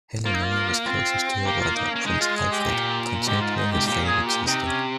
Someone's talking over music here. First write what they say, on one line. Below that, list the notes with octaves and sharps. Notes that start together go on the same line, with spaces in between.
Helena was closest to her brother, Prince Alfred, who considered her his favourite sister.
A#3 F4
D#4
F4
C4 F4
A#3 G4
F4
D#4
A#3 C#4
G#3 D#4
F4
G#4
G4
A#2
G#2 G4
F4
D#4
G4
C3
A#2 G4
G#4
G4
C3 D#4
C#4